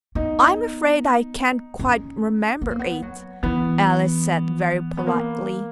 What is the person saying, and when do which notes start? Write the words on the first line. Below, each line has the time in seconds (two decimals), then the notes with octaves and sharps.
'I'm afraid I can't quite remember it,' Alice said very politely.
0.15 B3 D#4
1.79 C#4
2.62 B3
2.71 A#3
2.79 B3
3.02 F#3
3.43 E3 B3
4.97 B3
5.07 A#3